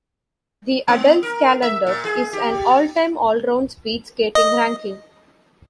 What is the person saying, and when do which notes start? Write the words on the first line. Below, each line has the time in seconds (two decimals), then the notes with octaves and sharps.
The Adelskalender is an all-time allround speed skating ranking.
0.88 B3
1.23 A#4
1.62 E5
1.87 A#2
2.05 G#4
2.33 G4
4.35 D#5